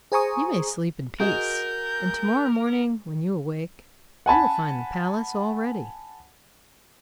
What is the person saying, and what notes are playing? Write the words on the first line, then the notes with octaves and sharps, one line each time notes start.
You may sleep in peace, and to-morrow morning when you awake you will find the palace all ready.'
G#4 C5 G#5 A#5 C#6 D#6
F#4 G#4 A#4 D#5 G6
F#5 G#5 A5 B5